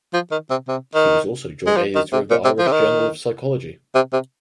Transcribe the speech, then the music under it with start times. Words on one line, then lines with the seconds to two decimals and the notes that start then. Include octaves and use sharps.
He was also joint editor of the "Irish Journal of Psychology".
0.14 F3
0.31 D#3
0.50 C3
0.68 C3
0.95 D#3
1.66 G#3
1.77 F3
1.95 D#3
2.13 C3
2.31 A#2
2.45 C3
2.59 F3
2.67 C3
2.72 D#3
3.95 C3
4.13 C3